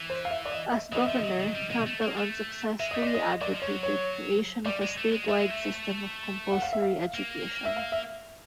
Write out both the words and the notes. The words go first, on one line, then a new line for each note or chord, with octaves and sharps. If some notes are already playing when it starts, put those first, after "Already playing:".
As governor Campbell unsuccessfully advocated creation of a statewide system of compulsory education.
Already playing: E3
C5
F5
E5
D5
D#5
E5
E3 D#5
F3 E5
D#5
F#3
F#3
G3
G#3
A3
A#3
A3
G#3 E5
A3 D#5
G#3 D5
D#5
F#3 D5
F3
C#5
F#3
C#5
G3 D5
G#3
A3
G#3
A3 E5
G#3
A3
F#5
F5
E5
F5
A#3
E5
F5
E5